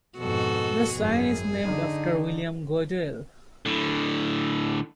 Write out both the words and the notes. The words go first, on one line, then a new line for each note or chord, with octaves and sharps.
The sign is named after William Goodell.
F2 G#2 B2 F#4 A4
G#1 F#2 G#4
D3 D#4
A2 D3